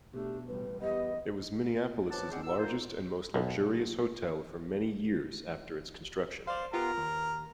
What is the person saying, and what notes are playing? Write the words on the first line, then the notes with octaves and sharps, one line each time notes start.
It was Minneapolis's largest and most luxurious hotel for many years after its construction.
B2 A3 D4 G4
A1 G3 B4
E2 B3 G4 D#5
B2 F3 C#5 F#5 A5 D6
G#3 C4 C#4 C5 D5 F#5
D#2 A2 F#5 E6
A#3 D#4 F4 C5
B1
C5 D5 F5
B3 F4 G4 A#4
D#2